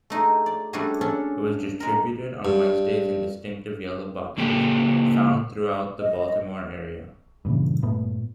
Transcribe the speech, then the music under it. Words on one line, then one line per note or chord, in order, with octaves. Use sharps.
It was distributed on Wednesdays in distinctive yellow boxes found throughout the Baltimore area.
A3 D#4 F#4 G#4
D5
G3 A3 C#4 D4 F#4 G#4
C#4 D4 A4 C#5 E5 F#5
G#3 A#4
G2
C#3 A#3 G4 A4 C#5 G5
D#5
G2 A#2 C#3 E3
G2 A#2 A3 B3